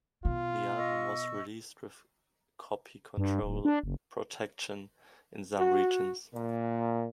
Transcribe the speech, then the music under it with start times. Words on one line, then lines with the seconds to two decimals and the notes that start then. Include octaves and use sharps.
The album was released with Copy Control protection in some regions.
0.25 B2 F4
0.77 D#5 C#6 E6
3.18 G2
3.43 D1
3.65 D4
3.83 F#1
5.58 F#4
6.33 A#2